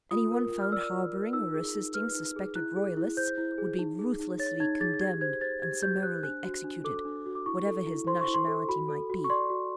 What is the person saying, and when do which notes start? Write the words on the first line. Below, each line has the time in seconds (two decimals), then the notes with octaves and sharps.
Anyone found harbouring or assisting suspected royalists would be ruthlessly condemned and summarily executed, whatever his nationality might be.
0.11 F4 D#6
0.32 A#4
0.52 F4
0.62 F6
0.72 D5 E6
0.93 F4
1.13 A#4
1.33 D#4 E6
1.54 G#4
1.74 D#4
1.94 B4 F6
2.15 D#4
2.36 G#4
2.55 E4 F#6
2.76 G#4
2.97 E4
3.17 C5 G6
3.38 E4
3.58 G#4
3.79 D#4
3.99 G#4
4.20 D#4
4.39 C#5 A6
4.60 D#4 G#6
4.80 G#4 A6
4.94 A6
5.00 G4 G#6
5.21 C5 G#6
5.41 C5 A6
5.62 G4 G#6
5.82 G4 G6
6.03 C5 F#6
6.23 D4 F#6
6.44 F#4
6.64 D4
6.84 A4 D6
7.05 D4
7.26 F#4
7.35 D6
7.46 E4 C#6
7.66 A4
7.87 E4
8.07 C5 C6
8.21 C#6
8.28 E4
8.34 C6
8.48 A4
8.68 F#4 B5
8.89 A4
9.10 F#4
9.24 C#6
9.30 D5 C6
9.50 F#4